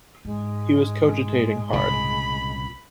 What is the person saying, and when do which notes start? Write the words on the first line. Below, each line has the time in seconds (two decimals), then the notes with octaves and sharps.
He was cogitating hard.
0.25 G#2 G#3
1.73 C2 A#2 C#3 B5